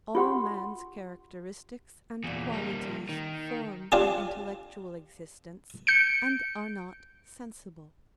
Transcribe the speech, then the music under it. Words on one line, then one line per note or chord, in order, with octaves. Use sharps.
All man's characteristics and qualities form an intellectual existence and are not sensible.
F4 G4 F#5 C6
E2 A#2
G3 A#3
D#3
D4 F4 G4 G#4
G6 C#7 D7